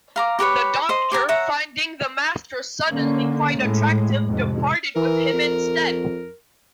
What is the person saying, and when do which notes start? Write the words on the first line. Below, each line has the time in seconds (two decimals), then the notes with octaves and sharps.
The Doctor, finding the Master suddenly quite attractive, departed with him instead.
0.16 F5 A#5 D6
0.39 G4 A#4 B4 C#5
0.89 C5 D#5 C6
1.12 G4 G#5 A#5
1.28 C#5 E5 F#5 A#5
2.89 D3 A#3 C#4
3.57 A2 G#3
4.25 F2 G#2 C3
4.96 E3 A#4
5.33 F2